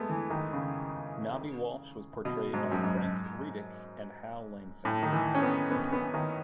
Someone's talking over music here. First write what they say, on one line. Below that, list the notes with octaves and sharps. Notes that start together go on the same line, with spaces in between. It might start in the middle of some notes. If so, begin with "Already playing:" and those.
Knobby Walsh was portrayed by Frank Readick and Hal Lansing.
Already playing: G#3 A3 B3
E3
D#3
C#3
B2
G#2
F#2
G#2
A2
D#3
E3
C#4
B3
B3
B3
D#3